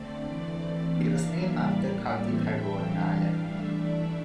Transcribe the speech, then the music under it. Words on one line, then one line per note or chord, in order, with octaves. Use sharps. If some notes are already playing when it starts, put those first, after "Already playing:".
It was named after County Tyrone in Ireland.
Already playing: D3 A3 C4 D5
E3 A3 C4
E3 A#3 D4 F5
E5
A2 G3 A#3 D5
A2 E3 A3 C4 E5
G5
E3 G3 D4 F5
E3 A3 D4 E5
D5